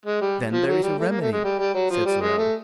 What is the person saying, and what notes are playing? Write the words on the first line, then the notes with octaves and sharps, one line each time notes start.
"Then there is a remedy," said Sorel.
G#3
G3
F3
F#3
G3
A3
A#3
A3
G#3
G3
G3
F#3
F3
G3
G#3
A3